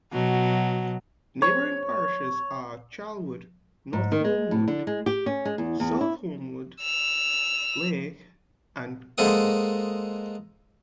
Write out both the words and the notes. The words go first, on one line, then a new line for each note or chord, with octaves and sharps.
Neighbouring parishes are Charlwood, North Holmwood, South Holmwood, Leigh and Capel.
B2 F#3
C#5
G#2
D#3
G#3
A2
D3
G#3
G4
C#4
G#3
E2
E2
E4
E6 F7
G#3 A#3 A4 C5 F#5 D#6